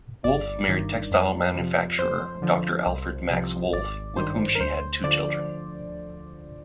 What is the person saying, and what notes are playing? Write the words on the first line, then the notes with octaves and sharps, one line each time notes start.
Wolff married textile manufacturer Doctor Alfred Max Wolf with whom she had two children.
G1 D5
G2 D#3
F2
C3 F3
F2 C5
D3 F3
C2
C3 F3
G#1 D5
G2 D#3 C5
A#4
D2 C5
D3 F3 D5